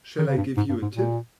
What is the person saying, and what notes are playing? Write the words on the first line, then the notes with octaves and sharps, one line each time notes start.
Shall I give you a tip?
D#3
C#3
G2
G#2
G2
G#2
A#2